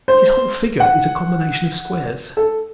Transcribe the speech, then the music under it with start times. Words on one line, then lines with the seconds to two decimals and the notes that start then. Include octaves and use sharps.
His whole figure is a combination of squares.
0.08 C5
0.80 F#5
2.37 A4